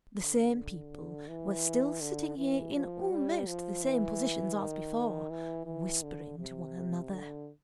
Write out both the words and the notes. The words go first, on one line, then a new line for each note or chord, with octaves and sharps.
The same people were still sitting here in almost the same positions as before, whispering to one another.
D3
E3
D3
E3
F3
G3
F3
E3
D#3
E3
E3
D3
C3
D3